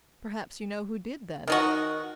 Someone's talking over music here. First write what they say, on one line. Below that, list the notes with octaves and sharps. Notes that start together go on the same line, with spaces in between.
"Perhaps you know who did, then?"
D#3 D#4 F#4